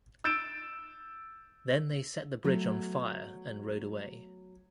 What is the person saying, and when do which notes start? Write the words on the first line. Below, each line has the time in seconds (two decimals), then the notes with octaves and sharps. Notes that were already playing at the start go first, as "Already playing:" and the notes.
Then they set the bridge on fire and rode away.
0.24 E6 G6 A6 D7 E7
2.44 F#3 A3 B3